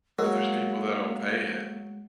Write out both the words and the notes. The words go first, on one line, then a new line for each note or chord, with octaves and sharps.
But there's people that'll pay it,
F#3 G#3 A#3 A#4